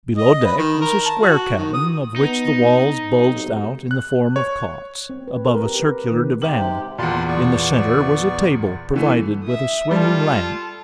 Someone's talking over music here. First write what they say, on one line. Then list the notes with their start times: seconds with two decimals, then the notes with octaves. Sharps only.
Below deck was a square cabin, of which the walls bulged out in the form of cots, above a circular divan; in the centre was a table provided with a swinging lamp.
0.17 D#5
0.46 B4
0.58 D#3
0.81 A#4
1.06 A5
1.21 F#4
1.57 D#3
1.74 D#6
2.16 B3 D#4
3.11 B1 G#2 C3
3.91 F#6
4.36 C#5
5.10 C4
5.28 B4
5.47 A#4
5.65 G4
5.80 B4
6.11 D#3
6.42 G#2 C3 G4 F#7
6.98 E2 A#2 A5 B5 C6
7.28 B3 D5 C#6
8.94 D3 E3 A3
9.43 E5 D#6
9.91 G3 F4 A4 A5